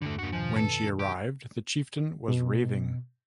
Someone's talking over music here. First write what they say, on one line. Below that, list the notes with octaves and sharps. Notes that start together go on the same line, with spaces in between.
When she arrived, the chieftain was raving.
E2 G2 D3 A3
A#3 D4 F#4
B2 D#3 F3 G#5
A4 B4
D4
G4
B2